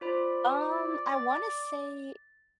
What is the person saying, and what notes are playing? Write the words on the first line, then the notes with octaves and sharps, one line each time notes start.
Um, I wanna say
F4 C5 D5 B5
A6